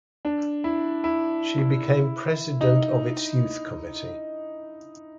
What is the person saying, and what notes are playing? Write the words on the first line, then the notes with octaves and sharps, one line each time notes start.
She became president of its youth committee.
D4
E4
E4
D#4